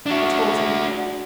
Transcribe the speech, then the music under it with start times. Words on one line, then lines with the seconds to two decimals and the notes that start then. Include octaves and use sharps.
I told him.
0.06 D4 F#4